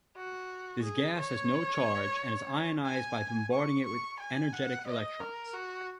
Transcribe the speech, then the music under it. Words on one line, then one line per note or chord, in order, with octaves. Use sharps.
This gas has no charge and is ionized by bombarding it with energetic electrons.
F#4
G#4
C#5
G#5
C#6
C#6
G#5
F#5
D#5
A#4
F#4